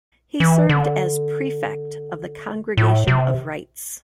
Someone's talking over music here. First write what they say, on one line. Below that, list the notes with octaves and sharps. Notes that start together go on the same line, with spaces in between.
He served as Prefect of the Congregation of Rites.
E3
D3
A2
C3